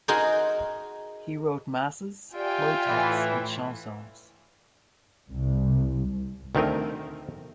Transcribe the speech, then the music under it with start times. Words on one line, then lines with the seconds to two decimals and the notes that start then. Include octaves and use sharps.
He wrote masses, motets and chansons.
0.08 D#4 F#4 G#4 A#4 C5
2.34 F4 G4 D5 E5 G5 G#5
2.88 A2 E3
5.30 C2
6.55 D2 D#3 A3 C4 A#4 D#5